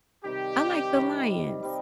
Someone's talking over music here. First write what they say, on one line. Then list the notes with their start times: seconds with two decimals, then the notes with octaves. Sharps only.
I like the Lions.
0.23 C3 D#3 G3 G4
0.93 C3 D#3 G3
1.63 G3 C4 D#4